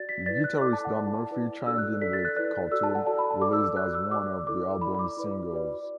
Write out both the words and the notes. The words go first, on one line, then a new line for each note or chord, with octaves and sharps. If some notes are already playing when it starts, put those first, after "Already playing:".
Guitarist Dan Murphy chimed in with "Cartoon," released as one of the album's singles.
Already playing: F#4 D5 A6
B6
E4 B4 D5 A6
F#6
E4 A4 D5 D6
A5
F#5
E4 D5 A5
A5
E4 B4 D5
D4 F#4 A4 D5 E6
F#6
F#4 A4 D5 B6
A6
F#6
E4 B4 D5 F#6
F#4 A4 D5 E6
A5
F#5
F#4 A4 D5 A5
B5
A5
F#4 A4 D5 D6
E6
E6
F#4 D5 F#6
E6
F#4 D5 D6
E4 A4 D5 D6
E4 D5 B5
B5
D6
E4 B4 D5
F#4 B4 D5